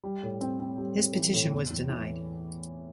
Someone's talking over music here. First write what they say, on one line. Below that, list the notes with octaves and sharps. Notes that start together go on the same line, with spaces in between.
His petition was denied.
G3
A2
C4
C4
G3
C4
E3
A2
E2
E2
E3